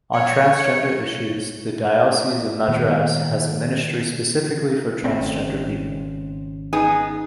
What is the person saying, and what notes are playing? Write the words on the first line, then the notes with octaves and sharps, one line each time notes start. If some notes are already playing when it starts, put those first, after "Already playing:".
On transgender issues, the Diocese of Madras has a ministry specifically for transgender people.
C#5
A#2 D#3 A#3 B3
G#1 C#3 C4
B3 D#4 G#4